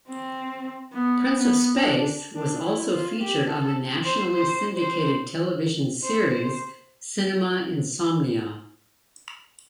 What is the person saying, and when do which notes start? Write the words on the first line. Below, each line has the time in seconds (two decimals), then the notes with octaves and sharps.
"Prince of Space" was also featured on the nationally syndicated television series "Cinema Insomnia".
0.09 C4
0.93 B3
1.37 B3
1.78 D4
2.35 D4
2.63 E4
2.92 F4
3.21 G4
3.48 A4
4.04 C5
4.34 C5
4.76 C5
6.03 C5
6.31 C5